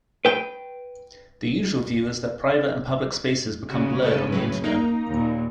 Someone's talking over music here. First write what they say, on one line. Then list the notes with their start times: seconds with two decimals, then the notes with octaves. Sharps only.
The usual view is that private and public spaces become blurred on the Internet.
0.25 B4 G5
3.69 C#3 G#3 C#4 F#4
4.02 B3 A4
4.32 A2 F#3 B4
4.64 A#3 D#4 A#5
5.11 D#2 A#2